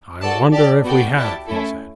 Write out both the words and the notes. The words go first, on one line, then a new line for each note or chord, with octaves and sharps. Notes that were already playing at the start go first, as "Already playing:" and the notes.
"I wonder if we have?" he said.
F#4 A4 D5 A5
G4 D5 A5
B3 F#4 A4 D5 G5
E4 G4 D5 A5
A3 C#4 E4 A4